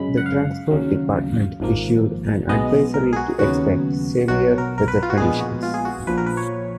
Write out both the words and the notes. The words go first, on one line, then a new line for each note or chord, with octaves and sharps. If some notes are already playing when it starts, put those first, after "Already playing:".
The Transport Department issued an advisory to expect severe weather conditions.
Already playing: F#2 C#3 G#3 B5
F#5
F5
D#2 C#3 F#3
G#1 G#2 F3 A#3
B1 B2 G#3 B3 D#5
A#4
G#4
F#4
D#2 C#3 F#3 B3 F#4
B1 B2 F#3 F#4
A#4
A#4
B4
F4
F#4
A#1 A#2 G#3 B3 G#4
F#4
F4
G#4
F#4
A#1 A#2 F3 B4
A#4
B4
C#5